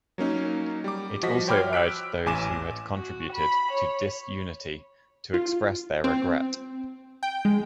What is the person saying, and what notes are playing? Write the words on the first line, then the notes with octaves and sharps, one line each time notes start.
It also urged those who had contributed to disunity to express their regret.
F#3 A#3 C#4 D#4
G3 D6
F3 F#4 D#5 A#6 B6
C5 C#5 G5 B5 D6 F6
E6 F#6 B6 D7
A1 G#5 D6 E7
F#4
B5
C#5
F4
C4
G5
G#3